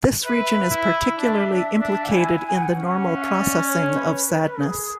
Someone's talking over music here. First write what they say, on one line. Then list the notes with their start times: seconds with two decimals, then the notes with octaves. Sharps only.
This region is particularly implicated in the normal processing of sadness.
0.24 B4 E5
0.71 E4
1.18 D4
1.48 D4
1.80 D4
2.10 E4 G#5
2.47 G#5
2.57 F#5
2.74 C#4
3.05 E5
3.13 F#5
3.22 E5
3.35 D5
3.67 C#5
3.97 B4
4.28 B4
4.60 G#4